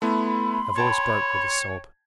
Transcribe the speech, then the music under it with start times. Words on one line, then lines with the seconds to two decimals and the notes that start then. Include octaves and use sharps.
Her voice broke with a sob.
0.02 A3 B3 E4 B5 C6
0.76 C#5 G5 A5 G#6